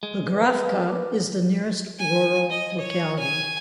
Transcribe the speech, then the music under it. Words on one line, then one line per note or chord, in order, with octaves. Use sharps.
Pokrovka is the nearest rural locality.
G#3
B4 F5 G#5
A#4 B4 D6
G#5
D#5
C#5
G#5